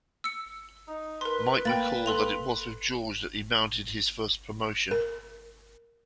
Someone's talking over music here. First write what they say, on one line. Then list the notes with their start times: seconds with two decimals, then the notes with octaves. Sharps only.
Mike recalled that it was with George that he mounted his first 'promotion'.
0.24 E6 C#7
0.88 D#4
1.21 A#4 B4 C6
1.65 A#3 G5 B5 A6
2.06 A4 C6 F7
4.91 A#4